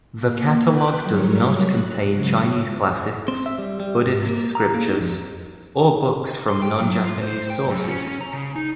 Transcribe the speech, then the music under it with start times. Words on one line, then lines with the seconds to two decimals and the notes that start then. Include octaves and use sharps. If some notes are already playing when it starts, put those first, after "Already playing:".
The catalog does not contain Chinese classics, Buddhist scriptures, or books from non-Japanese sources.
0.16 A#3
0.67 B4 G5 F#6
1.01 F#3 G3 A#4 C#5
1.66 F#6
2.11 C#3 F#3 G#3
3.28 C4
3.46 E5
3.58 G3
3.80 G3
4.06 G#2
4.27 A#3
4.55 A#5
4.74 A#3
4.87 D#4
5.01 F2
6.49 C6
6.62 G5
6.80 F#3
7.04 F4
7.21 C5
7.50 G5
7.67 F#2
7.87 C#4
8.07 C#4
8.21 A#5
8.34 C#3
8.56 D#4